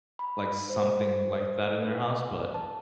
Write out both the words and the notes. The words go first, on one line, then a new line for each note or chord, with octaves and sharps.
like, something like that in their house, but
B5
C5
B4
A5